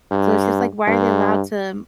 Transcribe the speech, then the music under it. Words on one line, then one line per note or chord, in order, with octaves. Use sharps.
so it's just, like, why are they allowed to
G2
G2